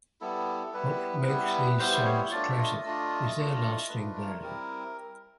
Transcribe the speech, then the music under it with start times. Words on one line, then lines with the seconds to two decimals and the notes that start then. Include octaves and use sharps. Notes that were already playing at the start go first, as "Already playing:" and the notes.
What makes these songs classic is their lasting value.
0.21 G3 B3 E4 A4
0.73 G3 B3 E4 B4
1.26 G3 B3 E4
1.79 G3 B3 E4 C5
2.05 C#5
2.31 A3 D4 F4 D5
2.50 E5
2.58 D#5
2.84 A3 D4 F4
3.37 A3 D4 F4
3.89 A3 D4 F4 B4
4.16 A#4
4.42 G3 C4 E4 A#4